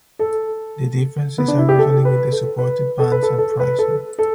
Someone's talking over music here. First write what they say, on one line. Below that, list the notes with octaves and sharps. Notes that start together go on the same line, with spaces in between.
The differences are usually with the supported bands and pricing.
A4
B3
D4
E4
G4
A4
B4
A4
B4
A4
B4
A4
A4
B4
A4
A4